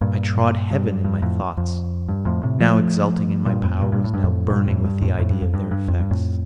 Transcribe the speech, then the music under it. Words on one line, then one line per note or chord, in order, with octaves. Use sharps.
I trod heaven in my thoughts, now exulting in my powers, now burning with the idea of their effects.
G2 A#2
G2
G2
F2 A2
F2
G2
F2 A2
A2 C3
F3 A3
G2 A#2
F2 A2
G2 A#2
G2 A#2
A2
G2
F2 A2
G2 A#2
F2 A2
G2
F2 A2
F2 A2
G2
F2
G2
G2
F2
G2
F2 A2